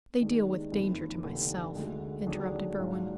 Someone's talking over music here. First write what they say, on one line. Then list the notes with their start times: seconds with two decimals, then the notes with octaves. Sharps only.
"They deal with danger to myself," interrupted Berwin.
0.20 D#2 D#3 G#3 B3 D4
0.72 F#1 F2 D#3
1.23 F1 D#2 D3
1.75 D2 D3 G#3
2.26 D#2 D3 F#3 D4 G#4
2.78 A#1 G#2 F#3 D4 F4